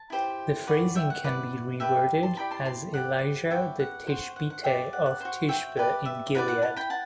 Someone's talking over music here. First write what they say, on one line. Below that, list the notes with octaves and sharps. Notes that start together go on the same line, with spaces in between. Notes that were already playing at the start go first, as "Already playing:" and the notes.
The phrasing can be reworded as Elijah the Tishbite of Tishbe in Gilead.
Already playing: A5
E4 G4 C5
F#4 B4 D5
E5 G5
F#5
E4 B4 D5 F#5
G4 B4 D5 E5 G5
A5 C6
E4 G4 D5 G5 B5
A5 C6
A5 C6
G4 B4 D5 F#5
F#4 B4 D5 E5 G5
F#5
F#4 C5
F#5
F#5
G4 B4 D5 E5 G5
F#5
F#5
F#4 C5
E5 G5
G4 B4 D5
E5
E4 B4 D5 F#5
F#5
F#5 A5
G5 B5
F#5 A5